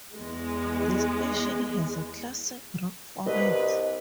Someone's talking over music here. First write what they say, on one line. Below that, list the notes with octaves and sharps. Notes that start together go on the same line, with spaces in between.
The station has a classic rock format.
E2 G#3
C2 G2 B2 B4 D#5